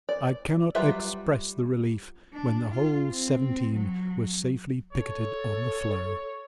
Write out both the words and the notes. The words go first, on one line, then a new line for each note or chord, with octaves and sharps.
I cannot express the relief when the whole seventeen were safely picketed on the floe.
D5
F#3 G3 F4 B4 E5
D4
F4
C4
F#3
A4 C#5